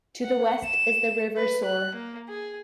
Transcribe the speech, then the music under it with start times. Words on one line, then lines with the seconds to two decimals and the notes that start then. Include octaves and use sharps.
To the west is the River Soar.
0.24 F#5
0.65 E7
1.36 B4
1.65 F#6
1.95 A#3
2.29 G#4